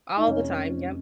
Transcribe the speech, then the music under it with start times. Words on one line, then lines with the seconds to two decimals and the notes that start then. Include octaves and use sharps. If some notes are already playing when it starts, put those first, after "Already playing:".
All the time, yep.
0.17 D#4
0.27 F1 C#4